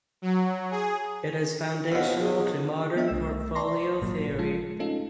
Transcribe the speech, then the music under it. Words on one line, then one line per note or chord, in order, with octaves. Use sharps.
It is foundational to Modern portfolio theory.
F#3
G#4
D#2 B2
G#4
B3 D4 D#5 E5
C2 A3 E6
D5 A5 A#5 C6 C#6 A#6
G#1 A#2 F#3
F3 G#3 F4 A4
A3 C#4 D#4 F4 A4